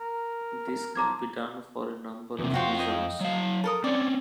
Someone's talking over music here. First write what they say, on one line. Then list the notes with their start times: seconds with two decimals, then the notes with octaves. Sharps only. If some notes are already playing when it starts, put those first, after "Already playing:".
This can be done for a number of reasons.
0.01 A#4
0.95 F3 A#5 D6 G#6
2.39 E2 C3
2.54 F2 F4 F#4 G5 C6
2.79 D#5 G5
3.21 F#3 F5
3.64 A4 A#4 D#6
3.84 C4 C#4 D5